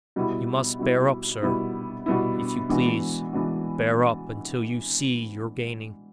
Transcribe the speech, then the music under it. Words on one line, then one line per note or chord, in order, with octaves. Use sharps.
"You must bear up, sir, if you please--bear up until you see you're gaining."
B2 G3 B3 E4
B2 G3 B3 E4
B2 G3 B3 E4
B2 G3 B3 E4
E3 G#3 B3 D4 F#4
E3 G#3 B3 D4 F#4